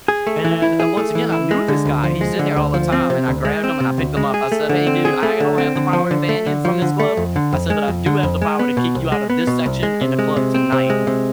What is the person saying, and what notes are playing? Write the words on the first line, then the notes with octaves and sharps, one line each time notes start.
And, uh, once again, I knew this guy. He's in there all the time, and I grabbed him, and I picked him up. I said, "Hey, dude, I don't have the power to ban you from this club." I said, "But I do have the power to kick you out of this section in the club tonight."
G#4
A3
E3
E4
G#4
A3
E3
E4
G#3
D3
D2
F3
G#3
D3
D2
F3
C4
C3
D2
G#3
C4
C3
D2
G#3
G#4
A3
D3
C4
G#4
A3
D3
C4
D3
F3
D3
A3
D3
F3
D3
A3
F2
D3
F2
G#3
F2
D3
F2
G#3
B3
B2
C2
G#3
B3
B2
C2
G#3
C3
G#3
C3
C4
C3
G#3
C3